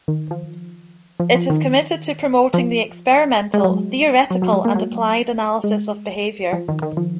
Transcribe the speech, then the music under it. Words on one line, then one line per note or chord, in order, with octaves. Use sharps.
It is committed to promoting the experimental, theoretical, and applied analysis of behavior.
D#3
F3
F3
F3
D#3
F3
G#3
F#3
F#3
F#3
G#3
A#3
F#3
G#3
F3
D#3
D#3
F3